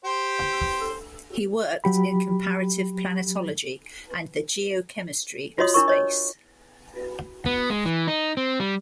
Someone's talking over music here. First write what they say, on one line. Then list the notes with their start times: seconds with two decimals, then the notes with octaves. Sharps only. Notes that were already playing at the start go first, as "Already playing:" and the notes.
He worked in comparative planetology and the geochemistry of space.
0.05 G4 C5
1.84 F#3 G4 B5
5.58 F4 F#4 C#5 D#5 C6 D#6
5.74 D4 E4 A#4 C#6
5.88 C#5 D#5
7.46 B3
7.70 G#3
7.85 E3
8.08 D#4
8.37 C4
8.60 G3